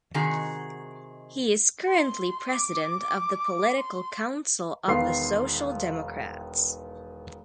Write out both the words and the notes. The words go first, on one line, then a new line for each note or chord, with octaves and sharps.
He is currently president of the Political Council of the Social Democrats.
C3 D#3 D#4 F#4 G#4
C6
D6
C6
E1 D#3 B3 F5 C6 C7